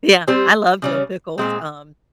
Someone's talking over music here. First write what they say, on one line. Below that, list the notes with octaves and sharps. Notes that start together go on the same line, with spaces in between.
Yeah, I love dill pickles. Um,
G3 C4 G4 C5
C#3 G3 C#4
A#2 G#3 C4